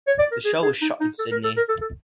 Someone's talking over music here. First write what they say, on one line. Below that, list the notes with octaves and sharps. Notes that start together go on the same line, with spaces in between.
The show was shot in Sydney.
C#5
D5
A#4
G#4
G#4
D#4
D#4
A4
A#4
A4
A#4
A4
A4